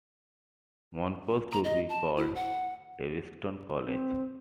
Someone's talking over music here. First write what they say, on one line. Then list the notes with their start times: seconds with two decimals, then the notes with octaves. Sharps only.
Moncus to be called Daviston College.
1.52 A#5
1.64 D#5
1.89 A5
2.17 E4
2.35 F#5
3.86 C4